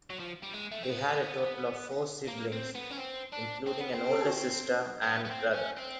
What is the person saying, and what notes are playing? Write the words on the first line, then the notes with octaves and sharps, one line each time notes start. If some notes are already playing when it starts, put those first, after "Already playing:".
They had a total of four siblings, including an older sister and brother.
F#3
F3
G3
G#3
A3
C4
B3
A#3
C4
B3
C#4
C4
D4
C4
B3
C4
C4
B3
B3
C4
C#4
C4